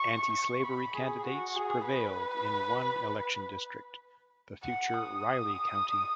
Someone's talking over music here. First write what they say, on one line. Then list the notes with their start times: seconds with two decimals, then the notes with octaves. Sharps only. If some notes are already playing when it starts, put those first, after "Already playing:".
Antislavery candidates prevailed in one election district, the future Riley County.
Already playing: C#6
0.33 C#6
0.64 B5
0.95 G#4
1.26 F#4
1.56 G#4
1.87 B4
4.63 F#5
4.94 D#6